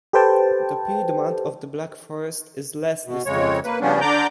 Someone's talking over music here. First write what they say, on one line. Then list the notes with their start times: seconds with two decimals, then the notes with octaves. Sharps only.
The piedmont of the Black Forest is less distinct.
0.13 G4 A4 B4 C5 G5 A5
3.06 B2
3.26 F2 C#3 G#3 C#5
3.64 A#3 B4
3.80 C#3 F3 G3 B3 C#4 D4
4.01 D3 D4 D5 A#5 D6 G6